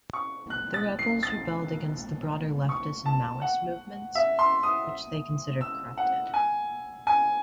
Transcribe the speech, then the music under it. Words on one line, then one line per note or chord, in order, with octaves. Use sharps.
The Rebels rebelled against the broader Leftist and Maoists movement, which they considered corrupted.
C#6
F#6
A6
C7
A6
C#6
A5
F#5
E5
C6
D#6
E6
F#5
G#5
G#5